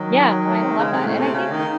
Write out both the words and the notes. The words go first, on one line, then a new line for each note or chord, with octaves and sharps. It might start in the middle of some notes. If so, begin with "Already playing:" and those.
Yeah, no, I love that. And I think
Already playing: D#3 F#3
C4
A3
C#3 G#3
C3
A2 A3
C3
C#3
D#3
D#4